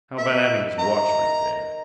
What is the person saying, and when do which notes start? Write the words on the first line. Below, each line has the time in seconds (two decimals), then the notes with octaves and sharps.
"How about having his watch repaired?"
0.18 D#3 E5
0.79 D#3 E5 A#5